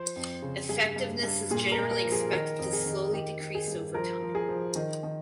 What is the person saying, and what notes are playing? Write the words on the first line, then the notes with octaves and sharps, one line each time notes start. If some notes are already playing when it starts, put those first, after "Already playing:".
Effectiveness is generally expected to slowly decrease over time.
Already playing: F3 C5
F2
C#3
G2 G#4
G2
G2
A#2 G#4
A#4
A#2
A#4
F3
G#4
D#3 A#4
F2
G#4
D#3
D#3 G4
D#3
G#4
G2
F3 A#4
F3
G#4
F3
D#3
D#3